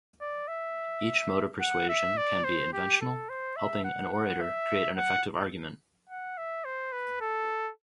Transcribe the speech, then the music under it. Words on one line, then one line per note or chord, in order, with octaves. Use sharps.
Each mode of persuasion can be inventional, helping an orator create an effective argument.
D5
E5
F#5
E5
D5
C5
G4
A4
C5
E5
F#5
F#5
E5
F#5
F#5
E5
C5
B4
A4